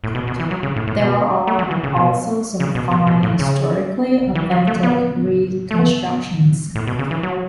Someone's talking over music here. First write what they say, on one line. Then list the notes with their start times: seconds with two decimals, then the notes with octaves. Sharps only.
There are also some fine, historically authentic reconstructions.
0.04 A2
0.15 B2
0.27 B2
0.40 E3
0.51 F#3
0.63 C#3
0.76 A2
0.87 A2
0.99 B2
1.47 A3
1.59 F#3
1.71 E3
1.83 C#3
1.96 B2
2.60 C#3
2.75 B2
2.91 B2
3.07 B2
3.23 A2
3.39 C#3
4.35 E3
4.51 F#3
4.67 A3
4.83 B3
5.71 A3
5.79 B3
6.75 A2
6.87 B2
6.99 C#3
7.11 E3
7.23 F#3